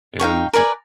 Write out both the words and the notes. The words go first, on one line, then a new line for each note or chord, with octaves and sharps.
and, eh"
D#4 F5 G5 C#6
A#4 B4 D5 G#5